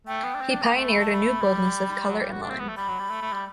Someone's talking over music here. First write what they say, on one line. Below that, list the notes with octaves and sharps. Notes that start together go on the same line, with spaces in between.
He pioneered a new boldness of color and line.
A3 G5
B3
D4
C4
D4
B3
A3
B5
A5
B5
G3
F#3
G3
F#4
D4
C4
B3
A3
G3 B5
F#3
G3
A3
A3
G3